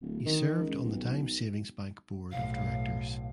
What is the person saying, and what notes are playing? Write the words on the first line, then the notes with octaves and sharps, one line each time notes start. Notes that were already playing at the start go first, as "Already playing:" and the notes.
He served on the Dime Savings Bank board of directors.
D1
D#3
C#2
B1
B1 A2 F5